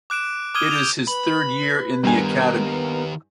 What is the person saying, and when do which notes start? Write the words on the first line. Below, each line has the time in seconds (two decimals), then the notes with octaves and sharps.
It is his third year in the academy.
0.10 D6 F#6 D7 E7
0.55 D6 D#6 F6 G#6 D#7 G7
0.71 G6 D7 F7
1.08 B4 B5
2.04 G2 D#3 B3 G4 A#4 G#5